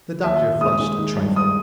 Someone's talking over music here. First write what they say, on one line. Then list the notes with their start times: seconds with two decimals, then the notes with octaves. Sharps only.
The Doctor flushed a trifle.
0.24 D#2 E5
0.42 D#2
0.61 G#3 D#6
0.80 G#3
0.98 D#3
1.17 G2
1.36 G2 D#6